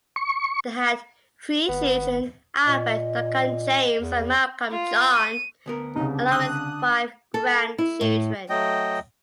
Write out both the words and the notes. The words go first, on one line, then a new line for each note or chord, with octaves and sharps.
They had three children, Alfred, Duncan James, and Malcolm John, along with five grandchildren.
C#6
G#1 B3
A#2 D#5
E2
F4
D#7
D2 B3 A#4
C2 C#3 D#4
D4
D3 D#6 F#6
A4
E4
A2
F#3 A3 D#5 G5